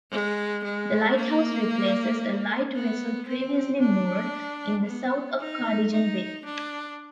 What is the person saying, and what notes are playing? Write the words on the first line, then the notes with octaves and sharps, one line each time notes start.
The lighthouse replaces a light-vessel previously moored in the south of Cardigan Bay.
G#3
G#3
A#3
B3
C4
D4
B3
D#4
D#4
D4